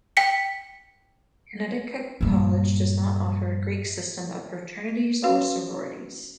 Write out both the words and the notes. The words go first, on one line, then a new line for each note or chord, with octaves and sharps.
Connecticut College does not offer a Greek system of fraternities or sororities.
G5 B6 C#7
G2 A#2
C#4 F#4 B4 F5